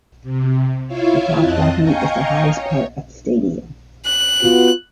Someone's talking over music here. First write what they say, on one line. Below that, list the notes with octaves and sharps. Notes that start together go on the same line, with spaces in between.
The Top Balcony is the highest part of the stadium.
C3
E4 F4 C#5 E5 F5
F2 C4 D#5 A5 F#6
D#5 F5 G5 G#5 A#5 C#6
C#5
F#6
B3 F4 F#4